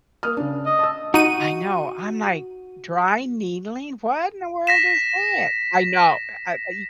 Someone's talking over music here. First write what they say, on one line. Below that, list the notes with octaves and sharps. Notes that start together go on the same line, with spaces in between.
I know, I'm like, dry needling, what in the world is that? I know. I uh e
A#3 D#6 F6
C#3 D4
D#5
A5 E6
D#4 F#4 D#7
A#6 B6 E7